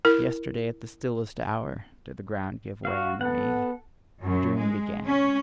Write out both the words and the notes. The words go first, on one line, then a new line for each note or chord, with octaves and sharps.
Yesterday at the stillest hour did the ground give way under me: the dream began.
E4 A#4
F#4 F5
B3 A4 F#5
F#2
G#3
C#4